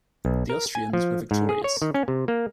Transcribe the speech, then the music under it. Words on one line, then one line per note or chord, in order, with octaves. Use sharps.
The Austrians were victorious.
B1
A#4
G#5
F3
G#2
G#4
C#5
D#3
C#4
C3
A#3